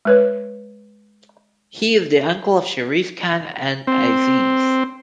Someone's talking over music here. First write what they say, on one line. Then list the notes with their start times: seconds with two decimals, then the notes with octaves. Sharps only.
He is the uncle of Sharif Khan and Aziz.
0.05 G#3 B4 C#5
3.87 C4